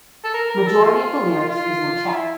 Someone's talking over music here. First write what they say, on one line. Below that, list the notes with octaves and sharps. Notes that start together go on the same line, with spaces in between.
Majority of the lyrics is in Czech.
A4
A#4
A#4
A4
F4
F4
E4